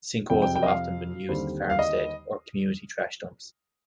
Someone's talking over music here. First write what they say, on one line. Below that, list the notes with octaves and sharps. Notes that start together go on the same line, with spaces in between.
Sinkholes have often been used as farmstead or community trash dumps.
F2 C3 F3 G5
G5
G5
D#5
F5
D#2 D3 G3 C4
F5
D#5